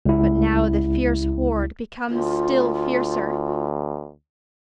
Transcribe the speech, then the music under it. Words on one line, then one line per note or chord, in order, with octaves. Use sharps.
But now the fierce horde becomes still fiercer.
C#2 E4
D2 F4